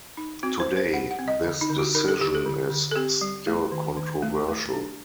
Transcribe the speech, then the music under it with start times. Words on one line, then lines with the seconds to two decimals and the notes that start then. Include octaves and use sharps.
Today, this decision is still controversial.
0.17 D#4
0.43 C4 F#4
0.60 C5
0.68 C4
0.77 C5
0.93 D#4 F#5
1.11 F#5
1.19 C4
1.28 D#5
1.44 D3
1.61 D#4
1.70 D3
1.78 F#4
1.95 D#4 A#4
2.08 A4
2.20 D3 G4
2.35 A4
2.46 D3
2.70 D3
2.91 A4
2.96 C4 G4
3.21 G3
3.47 A3
3.72 D#3
3.97 D#3
4.22 A3
4.48 A3
4.73 D4